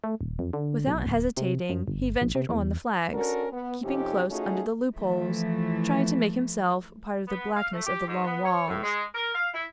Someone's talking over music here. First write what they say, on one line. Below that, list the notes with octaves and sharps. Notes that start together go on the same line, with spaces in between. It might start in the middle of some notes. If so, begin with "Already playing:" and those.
Without hesitating, he ventured on the flags, keeping close under the loopholes, trying to make himself part of the blackness of the long walls.
A3
D#1
F2
D3
B1
D1
C3
F#2
G1
A#1
C3
E2
C#4 D4 F#4 A4 A#4
B3
F2 C3 C#4 D#4 G4
A3 C#4 D#4 F4 F#4 G#4
E3 F3 A3
B3
F5
A3
G4
G#2
B3
C#5
A2
G#3
A#4
F5
E4